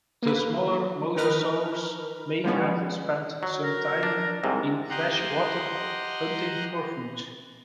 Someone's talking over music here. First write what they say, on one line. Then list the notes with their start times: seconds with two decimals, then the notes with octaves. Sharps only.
The smaller mosasaurs may have spent some time in fresh water, hunting for food.
0.22 A#3 B4
1.16 D#3 D#4 A#4 B4 F6
2.44 F3 G3 G#3 B3 C#4
3.43 F#3
3.63 A#4
4.03 D4
4.43 C2 G#2 C3
4.90 G4 D#5 F#5 A#5 C6